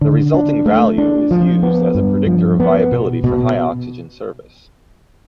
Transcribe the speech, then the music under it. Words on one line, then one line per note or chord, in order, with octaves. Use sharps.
The resulting value is used as a predictor of viability for high-oxygen service.
D3
D4
A3
D4
F3
B3
G2
F3
B3
B2
B2